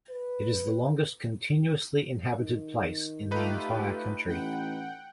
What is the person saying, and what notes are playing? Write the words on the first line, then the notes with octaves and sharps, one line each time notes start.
It is the longest continuously inhabited place in the entire country.
B4
D#3
A3 D#4 F4 G4 B4
A1 F#5 G5